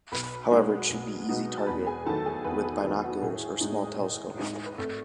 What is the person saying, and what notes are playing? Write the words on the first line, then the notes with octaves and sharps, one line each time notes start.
However, it should be easy target with binoculars or small telescope.
B1 B4 B5
B2 G#3 B3 D#4
B1
B2 G#3 B3 D#4
A5
E2 B4 B5
G#4 G#5
D#3 F#3 A3 A4 A5
G#4 G#5
E2 B3 B4
G#4
D#3 F#3 A3 G#4
F#4
A4
A2 G#4
G#3 D#4
A2
G#3 D#4
B4
G#1 A3 A4